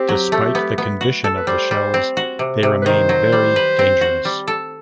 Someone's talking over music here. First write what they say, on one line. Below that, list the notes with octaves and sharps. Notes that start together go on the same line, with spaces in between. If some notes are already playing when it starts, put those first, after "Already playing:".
Despite the condition of the shells, they remain very dangerous.
Already playing: C4 G4
F#3
A3
B3
B3
F#4
A4
B4
G3 C5
G3
C4
F#4
C3
C3
B4
D#3 C5
F#3
G3
B4
C4
F#4
G3
A4